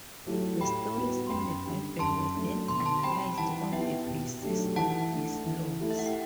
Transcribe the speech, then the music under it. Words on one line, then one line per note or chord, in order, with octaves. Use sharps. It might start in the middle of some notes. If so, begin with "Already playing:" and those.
The stories in the Bible were then analyzed on the basis of these "laws".
F#3 A3 E4 G4
A2 G5 B5
G3 B3 F#4
C6
F#2 G5 B5
D3 G3
F#2 A5 C6
F#3 A3 D4
B2 C6
A5 C6
G3 C4 G5 B5
E3 F#5 A5
B3 E4 G4 E5 G5
B2
F#3 A3 D4 G4
E3 F#5 A5
A3 D4
E3
A3 E4 G4
E5
F#5
G5